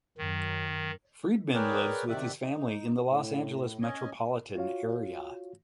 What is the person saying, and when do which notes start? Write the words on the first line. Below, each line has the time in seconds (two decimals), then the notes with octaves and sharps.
Freedman lives with his family in the Los Angeles Metropolitan Area.
0.18 F#2 D#3
1.54 G#4 A#4 B4 C#5 D5 G5
2.09 C3 D#3 G4 D5 E5 F#5
2.42 D#4
3.07 A2
3.82 C#4 D#5 G#5
4.55 F4 F#4 C#5 F5